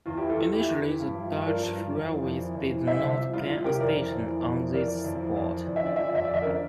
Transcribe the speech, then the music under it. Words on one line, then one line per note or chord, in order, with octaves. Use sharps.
Initially the Dutch railways did not plan a station on this spot.
E2 F4
E3 E4 G4
F4 A4
E2
E3 E4 G4
E2
E3
G2
F3
G2
F3 A#4 D5
G2
F3
F2
E3
F2
E3
F2
E3
C2 C5 E5
C3
F3
C2 F4
C2 F4
C3 G4 A#4
F2 A#4 D5
E3
F2
E3
F2
E3
F2 A#4 D5
E3
F2
E3
F2
E3
F2 D5
E5
D3 D5
F3 E5
D5
F2 E5
D5
F2 E5
D3 A#4 D5